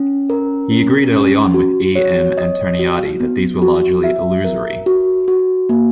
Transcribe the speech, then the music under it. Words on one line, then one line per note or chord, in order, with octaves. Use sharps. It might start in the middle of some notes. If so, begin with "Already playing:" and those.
He agreed early on with E. M. Antoniadi that these were largely illusory.
Already playing: C#4
A#4
C#4
C#4
F#4
C#5
D#5
F#4
B3
F#4
E5
A#4
F#4
F#4
A#3